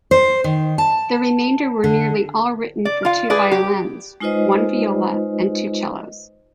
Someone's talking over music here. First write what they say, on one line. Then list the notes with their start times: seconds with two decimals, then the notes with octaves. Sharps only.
The remainder were nearly all written for two violins, one viola, and two cellos.
0.11 C5
0.44 D#3
0.78 A5
1.84 D3
2.85 D5
3.05 F4 F5
3.30 G#4 B4 D5
3.51 G4
4.20 G#3 D#4 F4 B4 C5 D#5